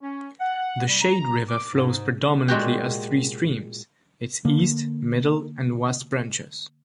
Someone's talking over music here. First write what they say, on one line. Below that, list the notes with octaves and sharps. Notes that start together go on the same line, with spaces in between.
The Shade River flows predominantly as three streams, its east, middle, and west branches.
C#4
F#5
G3
A#5
D6
G#2
A#2 G#3 F#4 G4
D3 A#3